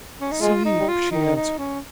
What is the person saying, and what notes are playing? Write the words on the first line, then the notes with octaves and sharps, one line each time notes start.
"Sleep!" she answered.
C#4
D#4
G#3 F4
D#4
G3
F4
D#3 D#4
D#4
C#4